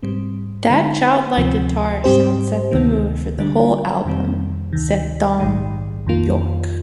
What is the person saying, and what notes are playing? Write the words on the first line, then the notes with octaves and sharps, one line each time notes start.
"That childlike guitar sound set the mood for the whole album", said Thom Yorke.
G#2 G3 C4
D3 G#3 D#4
D2 C3 F3 C4
G#2 G3 C4 G4 C5
D2 C3 D#3 A#3
D3 G3 D4
F2 C3 D#3 G3 C4
D2 C3 D#3
A#1 G#2 D#3 G#3
F2 D#3 A#3 F4